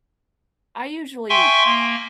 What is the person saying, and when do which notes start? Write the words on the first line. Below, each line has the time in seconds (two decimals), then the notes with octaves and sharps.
I usually
1.30 E5 G5 G#5 C6 C#6
1.65 A#3